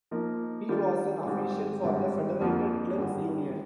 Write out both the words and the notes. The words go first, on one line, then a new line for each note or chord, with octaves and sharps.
He was an official for the Federated Clerks' Union.
F3 A#3 D#4 A#4
D#3 G3 D4 F4
G#1 G#2 G3
G#1 G2 D3 G#3
F2 D3 F3 A#3
G#1 G2 D3 G#3